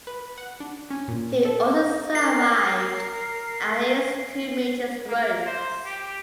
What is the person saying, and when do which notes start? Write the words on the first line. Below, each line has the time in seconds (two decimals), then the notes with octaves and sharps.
He also survived at least two major strokes.
0.07 B4
0.38 F#5
0.60 D4
0.90 C#4
1.08 A#2
1.45 A4
2.15 A#4 C7
5.08 A#3
5.47 C5
5.85 G4